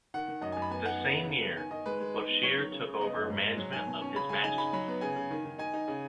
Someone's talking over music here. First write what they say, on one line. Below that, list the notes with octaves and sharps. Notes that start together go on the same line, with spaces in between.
The same year, Bourchier took over management of His Majesty's.
D#3 F#5
D#3
F#2 D#5
F#2 G#5
B5
B3 G#5
D#4 F#5
B3
C#3
B3
B3
D#3 G#5
D#3 D#5
G#3 B4
G#3
D#4
B3
F#3 C#5
D#3
C#3
C#3
B3 D#5
F#2
G#2
G#3
F#3
D#3 G#5
B2
C#4
C#3 B5
C#3 G#5
D#4 G#5
D#4 B5
F#3 B5
B3
C#3 G#5
C#3
D#3
D#3
D#4 G#5
D#4
C#3